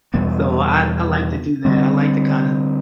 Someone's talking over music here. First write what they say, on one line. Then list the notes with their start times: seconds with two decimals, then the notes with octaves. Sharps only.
So, I d I like to do that, I like to kind of
0.14 E2 B2 G3 B3
1.65 D3 G3 C4